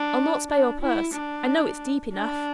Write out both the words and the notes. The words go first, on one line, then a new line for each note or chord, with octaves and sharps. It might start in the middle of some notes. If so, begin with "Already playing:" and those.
I'll not spare your purse,--I know it's deep enough.
Already playing: D4
D4
E4
D4
D4